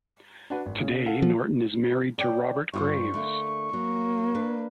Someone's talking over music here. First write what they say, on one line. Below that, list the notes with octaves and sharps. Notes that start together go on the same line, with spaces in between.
Today, Norton is married to Robert Graves.
D4 F#4 B4
G#1
C#3 C#4
A4 F5 F#5
F3
C#5 D5 G5
G2 F4 C5 C#6
D3 A3 A#3
F#3 A#3
D4 B4